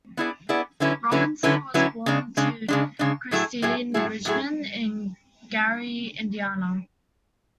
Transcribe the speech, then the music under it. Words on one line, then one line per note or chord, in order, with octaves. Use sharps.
Robinson was born to Christine Bridgeman in Gary, Indiana.
B3 E4 G#4 D5
B3 E4 G#4 D5
D3 F#3 C#4 E4 B4
D3 F#3 C#4 E4 B4
D3 F#3 C#4 E4 B4
D3 F#3 C#4 E4 B4
C#3 G#3 D4
C#3 G#3 D4
C#3 G#3 D4
C#3 G#3 D4
A2 F#3 A3 E4 G#4
A2 F#3 A3 E4 G#4
A2 F#3 A3 E4 G#4
A2 F#3 A3 E4 G#4